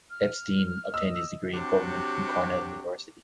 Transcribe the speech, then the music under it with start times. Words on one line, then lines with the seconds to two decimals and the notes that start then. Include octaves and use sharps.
Epstein obtained his degree in Government from Cornell University.
0.10 F6
0.94 D#5 E6
1.53 C3 F#3 D4 F#4 G4